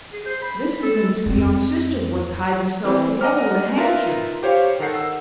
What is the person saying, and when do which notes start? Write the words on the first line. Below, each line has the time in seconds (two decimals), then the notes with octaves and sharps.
This is them two young sisters what tied themselves together with a handkecher.
0.13 G#4
0.26 C5
0.42 B5
0.83 A4
1.26 F2 C4
2.84 E3 C4
3.21 D#5 F#5 A#5 D6 F6
3.77 D#4 F4 A#4 B4 E5 A#5
4.43 G4 C5 C#5 F5
4.80 D#3 A4 A#4 F#5 C7
4.95 E6